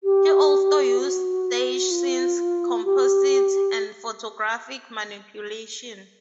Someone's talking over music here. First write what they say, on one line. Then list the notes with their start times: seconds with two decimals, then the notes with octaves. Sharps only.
He also used staged scenes, composites and photographic manipulation.
0.03 G4
0.97 F#4
1.90 F4
2.84 G4